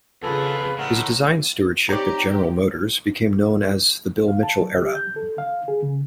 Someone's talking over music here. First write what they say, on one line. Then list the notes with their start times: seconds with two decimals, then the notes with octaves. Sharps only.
His design stewardship at General Motors became known as the 'Bill Mitchell era'.
0.23 F2 C#3 F4 G#4 A4 B4
0.78 A2 A#4 B4 D#5 F#5 B5 C6 E6
1.89 C4 D#4 G4 C#5 D5 A#5
4.28 F5
4.43 A5
4.61 F#3
4.79 G4
4.95 G6
5.16 A4
5.38 F5
5.68 G#4
5.83 C#3